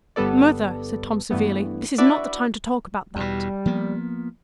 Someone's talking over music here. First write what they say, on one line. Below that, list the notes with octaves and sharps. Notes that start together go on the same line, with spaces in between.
"Mother," said Tom, severely, "this is not the time to talk about that."
G1 G3 B3 A4 D5
G2 E3 A3 B3
D4 E4 F#4 B4 D5 E5
E2 B2 G3
F3 A#3 B3